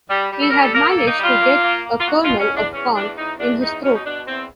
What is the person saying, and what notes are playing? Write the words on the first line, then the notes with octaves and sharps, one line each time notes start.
He had managed to get a kernel of corn in his throat.
G3
G3
A4
G3 A#4
A4
A#3 A#4
A4
A#3
D#4
G3
F4
A#3
A#3
A#3
F4
E2 F#4
F4
B2
C#4
E2 D4
E2 C#4
E2 D4
E2 D#4
E2 D4
E2 D#4
B2 C#4
D#4
B2 D4
E2 C4